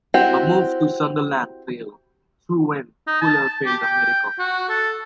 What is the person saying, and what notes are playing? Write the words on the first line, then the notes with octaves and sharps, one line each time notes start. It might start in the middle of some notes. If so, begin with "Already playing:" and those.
A move to Sunderland fell through when Fuller failed a medical.
C4 E4 F#4 G4
D#4
A5
G4
G5
F#4
A4